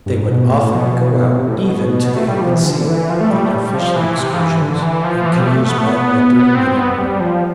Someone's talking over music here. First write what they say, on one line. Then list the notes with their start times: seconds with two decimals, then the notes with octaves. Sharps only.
They would often go out even to the open sea on their fishing excursions in canoes manned by thirty men or more.
0.06 G2
0.23 A2
0.28 B2
0.50 A2
0.71 B2
0.93 B2
1.14 B2
1.37 C3
1.48 A2
1.58 B2
1.80 B2
2.17 A3
2.28 G3
2.41 F3
2.54 E3
2.66 D3
2.80 D3
2.88 E3
3.10 F3
3.21 A3
3.30 G3
3.45 A3
3.52 G3
3.74 F3
3.96 E3
4.18 C3
4.34 F3
4.39 E3
4.61 D3
4.82 E3
5.04 F3
5.26 E3
5.33 F3
5.41 G3
5.47 A3
5.69 B3
5.78 A3
5.87 B3
6.55 C4
6.77 B3
6.98 G3
7.20 F3